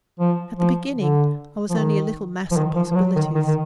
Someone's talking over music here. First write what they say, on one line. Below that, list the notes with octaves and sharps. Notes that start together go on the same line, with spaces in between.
At the beginning I was only a little mass of possibilities.
F3
F3
D3
F3
D#3
F3
D#3
F3
F3
F#3
D#3
D#3
D#3